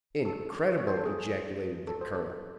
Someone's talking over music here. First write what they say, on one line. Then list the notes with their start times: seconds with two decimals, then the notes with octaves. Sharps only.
"Incredible!" ejaculated the colonel.
0.25 A4
0.78 C#5
0.87 C5
0.97 A4
1.05 G#4
1.87 A4
2.01 C5
2.15 A4